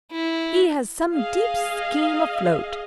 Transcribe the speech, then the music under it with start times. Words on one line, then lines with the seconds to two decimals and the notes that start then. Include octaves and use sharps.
He has some deep scheme afloat.
0.12 E4
1.15 G#4 D#5 F5